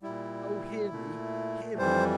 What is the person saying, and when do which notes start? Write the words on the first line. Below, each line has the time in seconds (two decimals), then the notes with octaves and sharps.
Oh, hear me! hear me!
0.03 A#2 G3 E4
0.91 A#2 A3
1.78 F2 E3 G3 C5